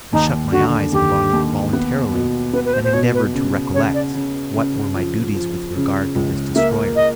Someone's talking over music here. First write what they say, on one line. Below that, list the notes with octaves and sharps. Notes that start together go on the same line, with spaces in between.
I shut my eyes involuntarily and endeavoured to recollect what were my duties with regard to this destroyer.
D#2 D#4
D3 F#4
D#2 G4
D#2
B3
B2
B3 B4
B4
C5
C5
B2 C#5
B4
C#3
C#3 C#5
D5
C#3
C#3
F3
F3
C#3
C#2
A#3 E5
D#5